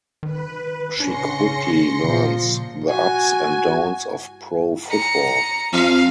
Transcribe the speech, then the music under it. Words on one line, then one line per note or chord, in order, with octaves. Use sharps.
She quickly learns the ups and downs of pro football.
D#3 B4
C#3 C#4 D4 C6 A#6 C#7
A#2 C#3 F3
F#4 G#5
A#5 C#7
F2 F5